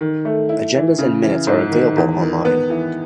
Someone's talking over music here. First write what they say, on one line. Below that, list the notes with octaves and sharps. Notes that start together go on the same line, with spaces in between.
Agendas and Minutes are available online.
D#3
A3
E4
E3
C#3
E3
G#2
D#3
E2
D#3
B3
E3